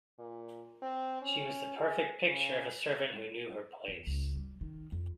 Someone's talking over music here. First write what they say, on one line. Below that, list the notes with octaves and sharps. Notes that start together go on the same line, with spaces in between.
She was the perfect picture of a servant who knew her place.
A#2
C4
C#4
G#4
C#3
E2
C#2
G3
D#3
F2